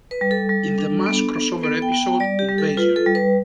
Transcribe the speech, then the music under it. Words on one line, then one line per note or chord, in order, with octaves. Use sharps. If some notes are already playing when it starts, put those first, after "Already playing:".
In the mass crossover episode Invasion!
B4
G3
A4
G3
D4
B3
B3
B3 A4
G5
B3
G5
G3 D5
G4
G3
A4
F4 B4
A4
G3
B4